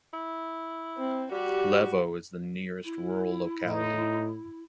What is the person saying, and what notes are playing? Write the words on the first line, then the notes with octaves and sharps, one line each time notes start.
Levo is the nearest rural locality.
E4
C4
G3 F#4 G4
E4
A2 D#4